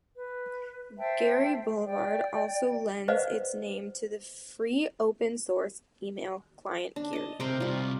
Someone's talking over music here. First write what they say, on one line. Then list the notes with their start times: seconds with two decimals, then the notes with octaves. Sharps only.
Geary Boulevard also lends its name to the free open source email client Geary.
0.16 B4
0.99 C5 E5 G5 A5
1.85 D5 G5
3.08 B4 C5 D5 D#5 F5 F#5
6.96 D4
7.13 D#5 A5
7.40 C3 A#4 C5 G5
7.60 C2 C3 G3 F4